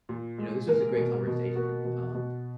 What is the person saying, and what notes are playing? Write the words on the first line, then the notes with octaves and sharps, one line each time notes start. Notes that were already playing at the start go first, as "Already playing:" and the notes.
you know, this was a great conversation, um,
A#2
G#3
A#3 A#4
B2
B2
A#3 F#4
B2
B2